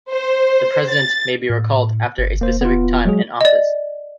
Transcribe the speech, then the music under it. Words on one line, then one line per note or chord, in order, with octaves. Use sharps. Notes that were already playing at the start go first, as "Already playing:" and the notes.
The president may be recalled after a specific time in office.
C5
A6
A2
G1
E1 A#3 C5
B3 F4
F#3 G#3 G#4
D5 D#5